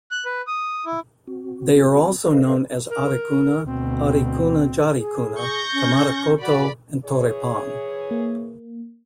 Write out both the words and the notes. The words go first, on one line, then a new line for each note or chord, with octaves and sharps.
They are also known as Arecuna, Aricuna Jaricuna, Kamarakoto, and Taurepang.
F#6
B4
D#6
E4
C4 F#4
A4 B4 C5 D#5 F5
A#4
D2 B2 C4
G#4
C#6 G6 A#6
C#4
F#4 D5 B5
E3 G#4 C#5
A#3